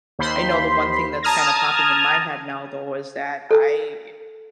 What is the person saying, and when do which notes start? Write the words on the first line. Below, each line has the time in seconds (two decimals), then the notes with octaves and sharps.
I know the one thing that's kinda popping in my head now, though, is that I,
0.19 D#2 C5 B5 C6
1.23 A5 A#5 D#6 F6 G#6 A#6
3.51 A4